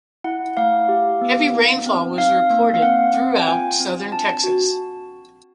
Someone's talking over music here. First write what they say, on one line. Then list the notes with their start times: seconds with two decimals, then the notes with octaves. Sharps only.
Heavy rainfall was reported throughout southern Texas.
0.24 E4 F#5
0.57 A3 F5
0.89 G4
1.21 B3
1.54 D#4
1.86 C4
2.18 D#4 F5
2.50 A#3
2.74 F5
2.82 C4 F#5
3.14 C4
3.40 G5
3.47 F4 G#5
3.80 C4
4.12 D4 A5
4.44 F#4